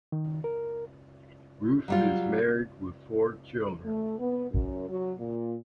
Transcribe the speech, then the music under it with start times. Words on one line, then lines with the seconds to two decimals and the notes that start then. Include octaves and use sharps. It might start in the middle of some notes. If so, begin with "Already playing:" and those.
Ruth is married with four children.
0.12 D#3
0.44 A#4
1.88 F#3 G3 F4
3.85 A3
4.19 B3
4.51 F#2
4.89 F#3
5.19 A#2